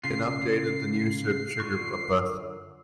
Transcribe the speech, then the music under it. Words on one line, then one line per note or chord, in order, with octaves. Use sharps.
An updated The New Sugar Busters!
C#3 F4 C7
D3 F4 C#6